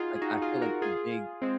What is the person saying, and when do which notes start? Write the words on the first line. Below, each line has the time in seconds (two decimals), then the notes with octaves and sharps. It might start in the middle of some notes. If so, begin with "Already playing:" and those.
like, I feel like the big
Already playing: D#4 F4 F#4 G#4
0.15 G#4
0.22 D#4 F#4
0.42 F4 G#4
0.62 F#4 A#4
0.82 F4 G#4
1.42 G#3 C4